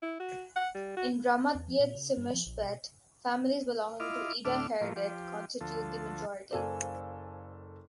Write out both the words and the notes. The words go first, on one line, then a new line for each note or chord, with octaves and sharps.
In "Ramat Beit Shemesh Bet", families belonging to Eda Haredit constitute the majority.
E4
F#4
F#5
G3
F#4
E2
F3
A#2
C#3
G2
F3
A#1
B2
E4 F4 D#5 D6 F6
D2 A2 D4 E5 D6 F6
A2 F3 A#3
F3 G4
D2 F3 A4
F#1 A4 C5 D5 F5 G#5